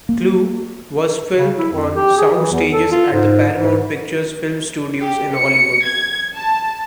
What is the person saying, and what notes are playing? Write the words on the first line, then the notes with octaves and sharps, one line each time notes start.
"Clue" was filmed on sound stages at the Paramount Pictures film studios in Hollywood.
A#3
C#3
E4
F2
G4
G#4
E3
E2
A4
F4
G#2
G#2
G4
C#7
G#6
A5